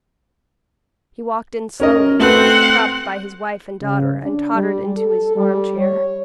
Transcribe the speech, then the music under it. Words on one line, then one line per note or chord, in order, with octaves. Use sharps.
He walked in slowly, propped by his wife and daughter and tottered into his arm-chair.
C#4 A#4 D#5
A3 C4 F#4 B4 F#5
C#3
D4
G3
A4
G3
C#5